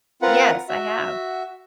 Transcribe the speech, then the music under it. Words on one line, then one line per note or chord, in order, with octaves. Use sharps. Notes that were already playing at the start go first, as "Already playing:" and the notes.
Yes, I have.
C4 F4 A#4 B4 F#5
F#4 E5